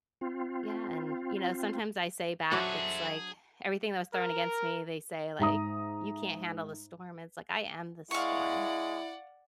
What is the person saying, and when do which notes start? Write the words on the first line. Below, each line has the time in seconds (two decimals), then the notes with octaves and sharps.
Yeah. And, you know, sometimes I say back, it's like everything that was thrown against me, they say, like, "You can't handle the storm." It's like, "I am the storm."
0.21 C4 F4
2.52 F#3 D4 F#4 G#4 A4 C5 E5
4.13 A#4
5.39 G#2 E5 A#5 D#6
8.11 G#3 E4 D5 F5 F#5 C#6